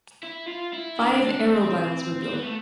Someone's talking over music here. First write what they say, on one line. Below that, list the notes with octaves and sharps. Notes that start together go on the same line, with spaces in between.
Five Arrowbiles were built.
E4
F4
E4
D4
D4
C4
C4
B3
A3